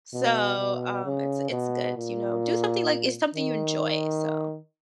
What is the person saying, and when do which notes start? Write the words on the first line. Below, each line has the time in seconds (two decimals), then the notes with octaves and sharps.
So, um, it's it's good, you know? Do something, like, it's something you enjoy, so
0.13 B2
0.59 B2
1.05 C#3
1.51 B2
1.97 A#2
3.34 D#3